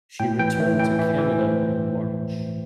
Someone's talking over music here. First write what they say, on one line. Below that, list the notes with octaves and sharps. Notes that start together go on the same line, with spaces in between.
She returned to Canada in March.
A2 G5
E3 G5
A2 E5
E3 G5
E3 E5
E3
A2 C5